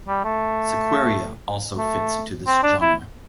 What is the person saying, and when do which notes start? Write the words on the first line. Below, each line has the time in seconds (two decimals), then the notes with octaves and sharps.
Sequeira, also fits into this genre.
0.08 G3
0.25 A3
1.78 A3
2.47 C4
2.63 D4
2.81 E4